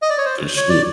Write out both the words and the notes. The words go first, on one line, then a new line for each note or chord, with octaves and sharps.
For sure.
D#5
D5
C#5
C5
C#5
D5